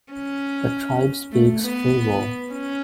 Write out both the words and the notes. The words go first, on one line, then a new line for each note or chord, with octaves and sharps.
The tribe speaks Faiwol.
C#4
A3
B3
C#4